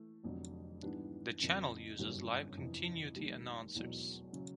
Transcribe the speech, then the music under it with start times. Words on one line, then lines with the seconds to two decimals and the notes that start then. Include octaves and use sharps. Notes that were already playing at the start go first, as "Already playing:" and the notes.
The channel uses live continuity announcers.
Already playing: E3 A3
0.24 F1 F2 D3 F#3
0.82 G#2 E3 G3 B3 D4
1.41 F2 C#3 F3 A#3
1.99 G1 F#2 C#3 E3 G3
2.57 F2 C3 E3
3.16 F1 D#2 D#3 G3
3.75 E1 E2 B2 F#3
4.33 C#3 F#3